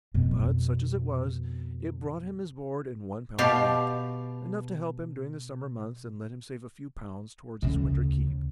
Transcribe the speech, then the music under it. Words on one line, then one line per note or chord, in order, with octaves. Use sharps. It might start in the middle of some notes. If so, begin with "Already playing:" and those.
But, such as it was, it brought him his board and One pound a week--enough to help him during the summer months and let him save a few pounds towards his winter keep.
F2 B2
B2 G4 F5 A5
D2 C#3